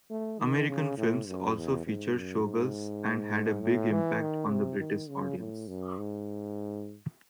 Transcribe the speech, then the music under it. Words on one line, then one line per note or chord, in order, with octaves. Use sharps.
American films also featured showgirls and had a big impact on the British audience.
A3
D#3
C#3
A2
F#2
E2
G#2
F#2
G#2
A2
E3
D#3
C3
D#3
C#3
A2
F#2
G#2